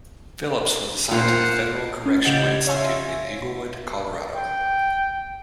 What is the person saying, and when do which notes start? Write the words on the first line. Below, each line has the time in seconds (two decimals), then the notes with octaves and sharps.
Phillips was assigned to the Federal Correctional Institution in Englewood, Colorado.
1.11 A#2 A#3 F4 C5 F#5
2.06 C#4
2.24 C#3 G4 D#5 F#5 G6 D7
2.46 G#6
2.67 C#5 E5 F5 G#5 C6 E6
4.36 G5